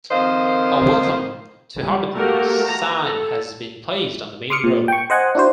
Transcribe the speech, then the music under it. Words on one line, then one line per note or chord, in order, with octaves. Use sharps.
A "Welcome to Hobbiton" sign has been placed on the main road.
F2 D#3 A#3 C5 D#5 F5
G3
A3 A#3 F#4 G4 A4 A#4
A#5
A4
C6 D6 D#6 F6 C#7
A#2
G5 C#6
C5 D#5 F#5 G#5
D4 E4 F#4 C5